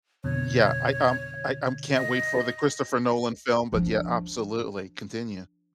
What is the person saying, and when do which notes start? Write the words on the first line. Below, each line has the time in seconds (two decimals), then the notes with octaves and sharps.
yeah, I um, I I'm can't wait for the Christopher Nolan film, but, yeah, absolutely, continue.
0.24 F2 B2 D3 C#5
1.96 D#5
3.72 F3 D4